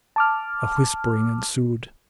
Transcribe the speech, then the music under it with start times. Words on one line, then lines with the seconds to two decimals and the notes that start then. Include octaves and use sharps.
A whispering ensued.
0.16 A5 D6 F6